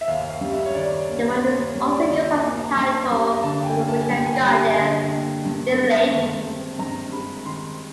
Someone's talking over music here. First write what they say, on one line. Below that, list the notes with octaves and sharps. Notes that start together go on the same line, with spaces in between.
The word is also used as a title of the Wicca goddess, "The Lady".
E5
D#2 F5
F5
G3
E5
C#5
D#3 D5
A#3
D#2 C#5
G3
D5
D5
D#3 D#5
G#5
A#3 G#5
A5
A#5
G2 A5
A5
G3 B5
A5
A#5
D3 A5
G5
G#5
A#3
A5
G#5
G2 G5
G#5
G5
G3
G#5
D3 A5
A#3
G2
G#3
D#3 A5
C4
G2 A#5
G#3 B5
D#3 C6